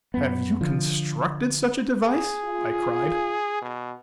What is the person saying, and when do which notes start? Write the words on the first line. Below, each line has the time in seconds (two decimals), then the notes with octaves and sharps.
"Have you constructed such a device?" I cried.
0.14 F#2 B3
0.61 D3 F3
2.06 G#4
2.44 F4
3.62 B2